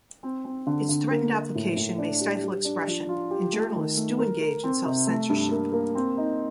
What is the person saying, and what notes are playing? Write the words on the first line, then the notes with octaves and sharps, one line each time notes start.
Its threatened application may stifle expression and journalists do engage in self-censorship.
C4
C4
D3
D3
A#3
A#3
A2
A2
D4
G4
G3
D4
F3
F4
G4
A3
D#3
A3
A#4
A#4
C4
C3
A3
G2
A#3
A#3
C4
D#4